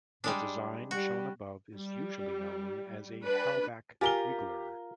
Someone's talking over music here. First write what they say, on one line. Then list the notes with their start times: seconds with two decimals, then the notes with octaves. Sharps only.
The design shown above is usually known as a Halbach wiggler.
0.24 G3 G#3 D4
0.91 G3 F#4
1.75 G3
3.22 D4 B4
4.01 F4 G4 A#4 G#5 G7